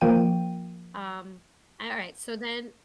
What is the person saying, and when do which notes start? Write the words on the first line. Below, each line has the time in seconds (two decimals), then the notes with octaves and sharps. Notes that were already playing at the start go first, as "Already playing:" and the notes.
Um, an all right, so then
0.01 F3 A#3 G5 D#7